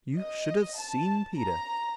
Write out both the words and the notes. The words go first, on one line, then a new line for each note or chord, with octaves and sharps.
You should have seen Peter.
D#5
A5
A#5